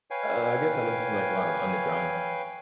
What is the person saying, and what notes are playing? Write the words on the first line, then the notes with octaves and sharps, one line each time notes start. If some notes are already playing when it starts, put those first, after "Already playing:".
Uh, I guess I listen to, like, a lot of underground
B4 C#5 F5 G5 G#5